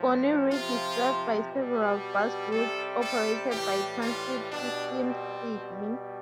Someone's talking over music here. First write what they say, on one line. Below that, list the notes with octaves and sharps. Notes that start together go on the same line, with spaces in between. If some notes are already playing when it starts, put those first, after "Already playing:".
Bonnyrigg is served by several bus routes operated by Transit Systems Sydney.
Already playing: A2 F3
C3 F3 F4
B2 G3
C3 G3 A4
A4
A2 E3 G3 G4
F4
B2 G3 D4
C4
B2 G3